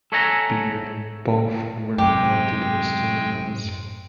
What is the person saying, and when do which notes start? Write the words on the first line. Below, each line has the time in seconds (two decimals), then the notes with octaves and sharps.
Beard; both were noted historians.
0.12 A4 C#5 E5 F#5 G#5 A#5
1.98 F#2 C3 G#3 G4 G5